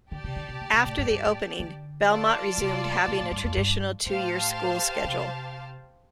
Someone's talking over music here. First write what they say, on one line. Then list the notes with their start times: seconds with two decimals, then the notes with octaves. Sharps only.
After the opening Belmont resumed having a traditional two-year school schedule.
0.11 D3 G4 D5 A5
0.24 C3
0.36 D3
0.49 C3
0.61 D3
0.73 C3
0.86 A2
0.98 G2
1.10 G2
1.26 A2
1.60 D3
2.08 F4 D5 A5
2.58 C3
3.08 C3
3.20 A2
3.32 G2
3.44 F2
3.57 G2
4.06 A2 G4 C5 F5 A5
5.04 C3